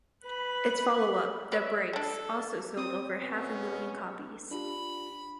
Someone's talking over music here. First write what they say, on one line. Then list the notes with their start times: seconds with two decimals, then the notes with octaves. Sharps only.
Its follow-up, "The Breaks", also sold over half a million copies.
0.24 B4 B5
1.52 B4 C#5 D5 E5
1.93 G3 D4 A4
2.77 C4 D#6
3.21 B2 C#4
4.51 D4 F4 G4 B5